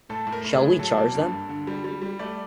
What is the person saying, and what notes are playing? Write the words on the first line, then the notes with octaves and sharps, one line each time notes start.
Shall we charge them?
A2 A4
A2
A#4
A2
A2 G#4
F#3 A4
A#3
G2
G2
D3
G3
G3
G3
A3 D5